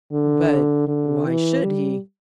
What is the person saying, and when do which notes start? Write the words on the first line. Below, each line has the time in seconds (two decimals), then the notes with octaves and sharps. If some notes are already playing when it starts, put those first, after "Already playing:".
"But why should he?"
0.12 D3
0.88 D3
1.26 E3
1.64 G3